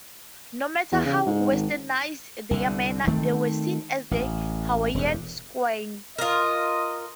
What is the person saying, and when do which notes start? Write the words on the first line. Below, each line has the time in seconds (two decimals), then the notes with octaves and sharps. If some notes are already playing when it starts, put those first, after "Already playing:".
No matter how Westernized their manners, they were seen as a Hawaiian squaw.
0.92 E2
1.05 C#3
1.26 G#2
1.51 G#1
2.51 C2 D3
3.07 D#3 A3 C4
4.11 A1
4.94 E1 G2
6.18 F4 A#4 D#5